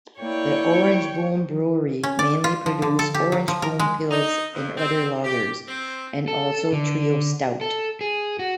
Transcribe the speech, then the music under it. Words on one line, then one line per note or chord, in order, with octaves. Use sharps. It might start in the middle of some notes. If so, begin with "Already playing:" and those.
The Oranjeboom brewery mainly produced Oranjeboom pils and other lagers, and also Trio Stout.
A#3 E4 C#5 D5 G5
C#4
D5
F4
F3
D3
A4
G4
F#3
F3
A#4
G#3
D#4
F2
C4
G4
C4
A4
D3
A4
G#4
F#4